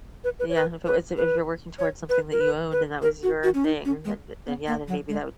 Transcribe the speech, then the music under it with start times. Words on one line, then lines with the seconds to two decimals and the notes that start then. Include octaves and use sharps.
Yeah. If it was if you're working towards something that you owned and that was your thing, then then then, yeah, then maybe that would
0.24 B4
0.40 B4
0.49 C#5
0.55 B4
0.86 B4
1.17 B4
1.79 C#5
2.09 B4
2.32 A#4
2.40 B4
2.72 B4
3.02 A#4
3.23 F#4
3.44 F#4
3.54 C#4
3.64 D#4
3.85 C#4
4.05 G#3
4.47 B3
4.67 A#3
4.88 F#3
5.09 G#3